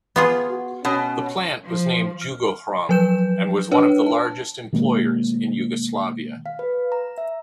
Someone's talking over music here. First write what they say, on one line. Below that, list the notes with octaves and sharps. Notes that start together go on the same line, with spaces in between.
The plant was named "Jugohrom", and was one of the largest employers in Yugoslavia.
B3 F4 G#4
F#4
B2 C#4
F3
F6
F3 F#3 B4 G6 E7
D4 B4 C#5
A5
B2 D#3 G#3 A#3
F5
B4
A#5
E5